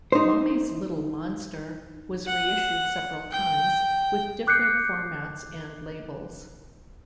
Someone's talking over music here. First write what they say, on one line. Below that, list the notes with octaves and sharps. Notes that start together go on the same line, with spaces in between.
"Mommy's Little Monster" was reissued several times, with different formats and labels.
D#4 C5
F#5
G5
D6 F#6 G6 C7 C#7